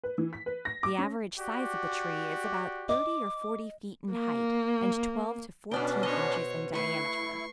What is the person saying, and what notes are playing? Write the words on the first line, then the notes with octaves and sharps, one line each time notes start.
The average size of the tree is about thirty or forty feet in height and twelve to fourteen inches in diameter.
B4
E3
B6
B4
A#6
D6
C#4
F#4 G4 D5
D#5 D6
A#3
B2 B3 C#4 D4 D5 G5
C5 C#5 D#5
A3 E4 B4 C#6 C7